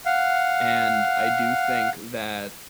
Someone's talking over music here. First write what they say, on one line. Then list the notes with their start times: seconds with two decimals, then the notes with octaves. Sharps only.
and I do think that,
0.05 F5 F#5